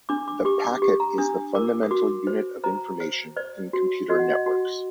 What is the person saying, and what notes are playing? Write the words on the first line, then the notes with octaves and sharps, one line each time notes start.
The packet is the fundamental unit of information in computer networks.
D4 D6
D6
G4 D6
D6
G4
A#5
D4 D#6
A#4 D6
D#6
F#4 D6
C5
C5 A#5
C5
C5 D5
F#4
F#4 D#5
F#5
D#5
F#4